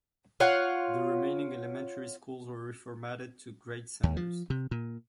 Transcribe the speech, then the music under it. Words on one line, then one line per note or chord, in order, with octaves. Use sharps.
The remaining elementary schools were reformatted to grade centers.
F4 C#5 F5 F#5
D#2
F3
C3
A#2